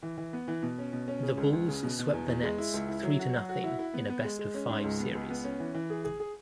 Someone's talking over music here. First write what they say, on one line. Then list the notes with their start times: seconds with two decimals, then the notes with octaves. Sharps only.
The Bulls swept the Nets three to nothing in a best of five series.
0.03 E3
0.18 E3
0.33 B3
0.48 E3
0.63 B2
0.78 C#4
0.93 B2
1.08 C#4
1.23 C#3
1.37 C#2
1.53 C#2
1.68 C#3
1.83 B2
1.99 B2
2.13 E2
2.28 E2
2.43 G#3
2.58 E4
2.74 C#2
2.88 E4
3.03 F#3
3.19 F#4
3.33 F#3
3.49 F#4
3.64 E4
3.79 E4
3.94 B3
4.10 B3
4.25 G#3
4.39 G#3
4.54 C#4
4.69 G#2
4.84 C#2
4.99 B3
5.14 C#2
5.30 B3
5.44 C#4
5.60 E3
5.74 E3
5.90 G#4
6.04 G#4
6.20 G#4